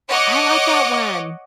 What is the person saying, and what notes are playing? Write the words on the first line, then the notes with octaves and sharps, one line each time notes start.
I like that one.
C#5 D#5 F#5 D6